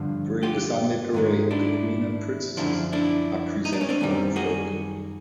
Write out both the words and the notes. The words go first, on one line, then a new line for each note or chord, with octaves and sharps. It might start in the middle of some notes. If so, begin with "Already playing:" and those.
During the Sunday parade, the queen and princesses are presented on a float.
Already playing: G2 D3 F3
F4 G4
G#2 D#3 G#3
D4 E4
F#2 D3 F3 D4 E4
D4 E4
D#4
D4
C#4
C4 D4
F#2 D#3 G3
F#4 G#4